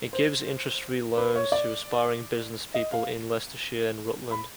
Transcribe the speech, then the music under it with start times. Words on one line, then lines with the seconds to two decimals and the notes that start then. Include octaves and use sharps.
It gives interest-free loans to aspiring businesspeople in Leicestershire and Rutland.
0.13 C5
1.18 B4
1.36 C#5
1.52 D5
2.74 D#5
2.92 F5
4.31 B5